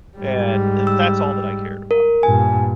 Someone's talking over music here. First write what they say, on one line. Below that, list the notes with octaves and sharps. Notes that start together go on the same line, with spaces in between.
And that's all that I cared about.
G#2 G3
E6
A#4
G2 A#2 G#5